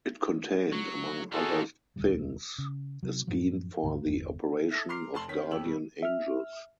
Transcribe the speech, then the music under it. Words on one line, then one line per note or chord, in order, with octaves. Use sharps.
It contained, among other things, a scheme for the operation of guardian angels.
F#3
F3 D#4 F#4 G#4 A4
E1 D2 G3
C#3
C3 F#3
F#2 A2 F3 F#3
D2 G#2 D3 E3
G1 E2
A4 E5
A#5 C6 D6 F6 C7
F1 A5 C6 F#7
D#3 B3 C#4 B6
F2 G4 E6 F#7
B2 G3
E5 F6